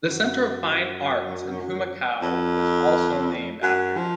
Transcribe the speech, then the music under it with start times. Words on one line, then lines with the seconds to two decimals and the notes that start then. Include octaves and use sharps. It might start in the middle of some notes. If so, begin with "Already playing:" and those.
The center of fine arts in Humacao was also named after him.
0.10 F#2
2.22 F2
3.62 F#2
3.97 F3